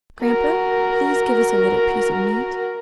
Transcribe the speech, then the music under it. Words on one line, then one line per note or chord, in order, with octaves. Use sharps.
"Grandpa, please give us a little piece of meat."
F#4 A#4